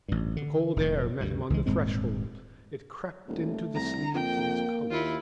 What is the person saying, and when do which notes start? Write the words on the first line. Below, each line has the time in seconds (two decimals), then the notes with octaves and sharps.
The cold air met him on the threshold; it crept into the sleeves of his coat.
0.08 A1 G2
0.37 D3
0.76 F1 A#2
1.20 D2 G2
1.50 C#2 E3 F3 G#3
1.66 D#1 G#2 G#3 C4
3.28 D#1 A3
3.75 C2 A#5
4.14 F2 A#3 G5
4.90 D#2 E4 F4